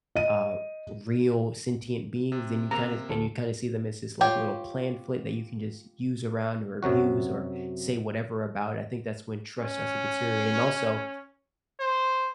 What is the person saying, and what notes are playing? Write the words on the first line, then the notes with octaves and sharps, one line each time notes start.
uh, real sentient beings, then you kinda and you kinda see them as this, like, little plan flip that you can just use around or abuse or say whatever about, I think that's when trust starts to deteriorate and also,
D#5 D#7
C3
C3 A#3 A#5
D2 A4
F4 G4 C#5 G5
F#2 C3 F#3 F#4
C#4
C5